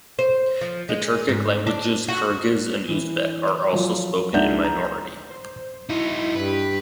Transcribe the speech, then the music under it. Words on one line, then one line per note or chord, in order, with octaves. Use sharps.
The Turkic languages Kyrgyz and Uzbek are also spoken in minority.
C5
F3
G#3
G#2
D4
F#4
E3
F3 F#3
C#2 D4 D#4 E5 F#5 G6
A#5
C5
D#4 E4 F#4
G2 G4 B4